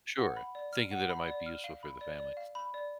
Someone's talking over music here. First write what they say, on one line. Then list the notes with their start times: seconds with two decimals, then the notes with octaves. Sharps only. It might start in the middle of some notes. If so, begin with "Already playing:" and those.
Sure, thinking that it might be useful for the family.
0.18 F#5
0.37 B5
0.55 D5
0.73 F6
0.91 F#5
1.10 B5
1.28 D5
1.46 F6
1.64 F5
1.83 B5
2.01 D5
2.19 D5
2.37 F5
2.55 B5
2.74 D5